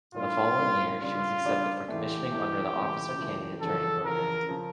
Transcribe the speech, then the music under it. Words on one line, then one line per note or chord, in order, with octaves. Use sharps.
The following year, she was accepted for commissioning under the Officer Candidate training program.
A2 G3 A#3 D4 F4
A2 G3 A#3 D4
C#3 G3 D4 F4
C#3 G3 D4
E2 E3 A3 G4
E2 E3 A3
C#2 C#3 E3 A3
C#2 C#3 E3 A3
E2 C#3 F3 A4
E2 C#3 F3 A#4
C#3 F3